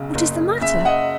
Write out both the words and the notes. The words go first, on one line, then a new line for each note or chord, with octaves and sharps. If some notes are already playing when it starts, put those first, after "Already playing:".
'What is the matter?
Already playing: B1 C#3
F#1
C#3 E5
D#5 F#5